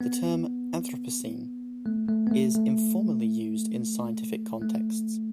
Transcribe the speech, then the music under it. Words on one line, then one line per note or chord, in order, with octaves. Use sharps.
The term "anthropocene" is informally used in scientific contexts.
B3
A3
A3
B3
A3
A3
A3